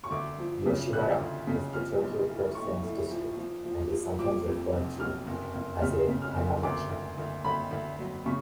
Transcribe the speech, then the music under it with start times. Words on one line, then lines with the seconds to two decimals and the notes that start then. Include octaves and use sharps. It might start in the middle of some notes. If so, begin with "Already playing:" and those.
Yoshiwara was the Tokyo courtesans' district and is sometimes referred to as a "hanamachi".
0.04 C#6
0.11 D2 D6
0.38 F3
0.66 C#3
0.93 F3 F#6
1.20 D2
1.47 C#3
1.73 F3 F6
2.01 B1
2.28 A2
2.55 A2 C#6
2.83 A2
3.10 F3
3.37 F3
3.64 F3
3.91 F3
4.18 F3 D6
4.46 F2
4.73 F1
5.00 F#3 F6
5.27 F#1
5.54 F#1
5.81 C#3 F6
6.08 C#3
6.22 F6
6.36 F#1
6.63 D2 D6
6.90 D2
7.18 D2
7.44 D2 B5
7.71 D2
7.99 F#3
8.26 C#3 C#6